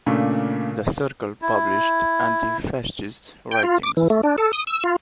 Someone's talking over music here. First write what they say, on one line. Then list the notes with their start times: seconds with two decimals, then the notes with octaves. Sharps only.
The circle published anti-fascist writings.
0.06 A#2 C#3 A3 D4
1.42 E4
3.51 G5
3.63 F4
3.83 D6
3.97 E3
4.10 A3
4.23 D4
4.38 A4
4.53 D#6
4.67 E6
4.84 F4